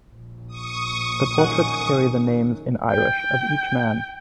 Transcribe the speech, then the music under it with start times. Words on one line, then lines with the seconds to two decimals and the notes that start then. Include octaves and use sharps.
The portraits carry the names in Irish of each man.
0.13 A#1
0.47 C#6 D#6
1.38 F#2 D#3 F#5
2.91 G5